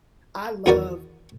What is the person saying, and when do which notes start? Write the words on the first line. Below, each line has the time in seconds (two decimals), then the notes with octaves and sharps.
I love,
0.66 E2 D#3 B3 F#4 A#4 D5